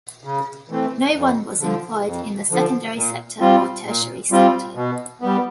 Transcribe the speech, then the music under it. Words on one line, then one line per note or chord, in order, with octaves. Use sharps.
No one was employed in the secondary sector or tertiary sector.
C#3
E3 A3 C4
F2
D3 F3
F2
D3 F3
A#2
G3 C4 F4
A#2
G3 C4 F4
B2
G3 B3